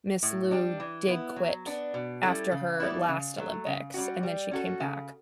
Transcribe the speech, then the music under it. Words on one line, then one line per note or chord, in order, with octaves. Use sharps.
Miss Liu did quit after her last Olympics, and then she came back.
A2
G3 D4
E3
B3 E4
F#3
B3 D4
B2
G3 C#4 E4 A4
C#3
E3 G3 B3 E4
C#3
F#3 A3
C#3
G3 C#4 F#4
G3
C#4 F#4 A4
C#3